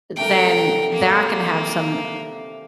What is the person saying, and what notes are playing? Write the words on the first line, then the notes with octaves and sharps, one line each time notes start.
then that can have some
C3 A3 D4 A#4 G5
A#3